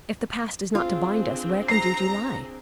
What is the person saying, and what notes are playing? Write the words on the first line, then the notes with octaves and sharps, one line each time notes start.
If the past is not to bind us, where can duty lie?
C4 D4 F4 G#4
A#5 C7